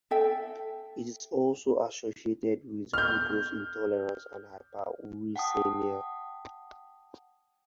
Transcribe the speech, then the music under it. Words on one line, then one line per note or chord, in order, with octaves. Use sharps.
It is also associated with glucose intolerance and hyperuricemia.
A4 E5 G5
F6 G6
F#5 G5 A5 D#6